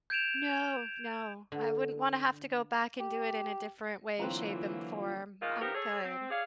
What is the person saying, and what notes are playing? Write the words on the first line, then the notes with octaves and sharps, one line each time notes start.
No, no, I wouldn't wanna have to go back and do it in a different way, shape, and form. I'm good.
G6 G#6 D7 E7 F7
D3
G4
D3 E3 F#3 A#3 C4 F4 B4 A#5
D#3 G#3 A#3 F4
F3 B3 D#4 G4 A#4
G#4 A4 C#5
C4
G#4 C#5 D5 F5